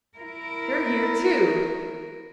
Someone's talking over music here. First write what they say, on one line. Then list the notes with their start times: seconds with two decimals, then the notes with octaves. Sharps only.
You're here, too!
0.18 E4 A#4